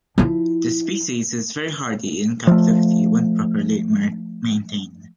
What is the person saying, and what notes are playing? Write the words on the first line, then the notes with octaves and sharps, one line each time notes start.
This species is very hardy in captivity when properly maintained.
F3 E4
F3 A3